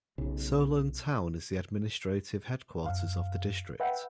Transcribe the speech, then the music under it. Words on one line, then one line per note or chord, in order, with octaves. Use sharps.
Solan town is the administrative headquarters of the district.
B1 C#3
F#2 F5
B4 E5 F#5 G5